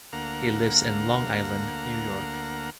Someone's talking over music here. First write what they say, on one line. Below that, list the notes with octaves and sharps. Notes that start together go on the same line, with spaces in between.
He lives in Long Island, New York.
D2 A#3 F5 F#5 A#5